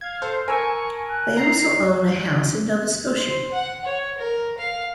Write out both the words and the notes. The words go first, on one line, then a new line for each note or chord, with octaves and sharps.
They also own a house in Nova Scotia.
F5 G#6
A4 C5
A#4 G#5 A5 C#6 E6
F#6
A#5 C7
C5
F#5
C#5
A#4
F5